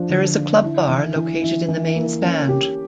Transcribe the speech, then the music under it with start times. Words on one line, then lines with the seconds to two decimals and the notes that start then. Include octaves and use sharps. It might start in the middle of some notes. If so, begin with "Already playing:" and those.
There is a club bar located in the main stand.
Already playing: F3 D4
0.09 D3
0.36 D3
0.63 E4
0.89 E3
1.16 E3
1.42 E4
1.68 E3
1.95 A#3
2.22 C#4
2.49 G4